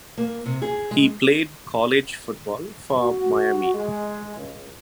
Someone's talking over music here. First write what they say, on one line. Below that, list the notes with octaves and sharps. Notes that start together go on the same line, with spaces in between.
He played college football for Miami.
A#3
C3
G#4
G#3
F#4
G#3
C#2